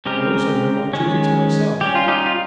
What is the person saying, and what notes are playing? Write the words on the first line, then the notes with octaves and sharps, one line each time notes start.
I also know my duty to myself.
C#3 G#3 C4 G4 A#4
D#3 G#3 C#4
G3 C#4 G4
F4
D#4 G4
F4